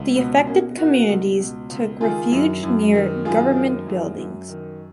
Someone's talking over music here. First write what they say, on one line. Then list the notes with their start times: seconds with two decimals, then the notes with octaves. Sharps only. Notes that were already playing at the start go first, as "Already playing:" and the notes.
The affected communities took refuge near government buildings.
Already playing: C#2
0.16 B2 B3
0.46 B2 A#3 C#4
0.77 B2 F#4 A#4
1.09 C#2
1.40 B2
1.70 C#2
2.01 D#3 F4 G#4
2.32 F#2
2.63 F#2
2.94 D#3
3.25 F#2 F4 G#4
3.56 D#3
3.87 F#2
4.18 F#2
4.48 D#3